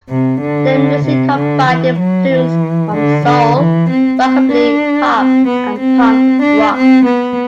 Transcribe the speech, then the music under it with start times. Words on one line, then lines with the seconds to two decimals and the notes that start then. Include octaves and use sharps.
Their music combined influences from soul, rockabilly, pop and punk rock.
0.10 C3
0.41 D3
1.05 C3
1.36 D3
1.67 E3
1.99 F#3
2.31 E3
2.95 D3
3.26 D3
3.57 E3
3.90 C4
4.21 C4
4.52 D4
5.15 C4
5.47 B3
5.79 C4
6.42 D4
6.74 C4
7.05 B3